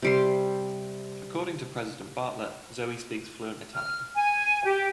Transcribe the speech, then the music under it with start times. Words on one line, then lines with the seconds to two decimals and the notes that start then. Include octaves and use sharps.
According to President Bartlet, Zoey speaks fluent Italian.
0.02 C3 G3 C6
3.74 F6
4.14 G#5
4.64 G4